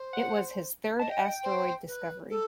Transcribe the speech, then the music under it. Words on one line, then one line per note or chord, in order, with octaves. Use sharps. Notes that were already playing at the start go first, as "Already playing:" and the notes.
It was his third asteroid discovery.
Already playing: C5
F#5
D#5 A5
G5
F#5
G5
C5
B4
A4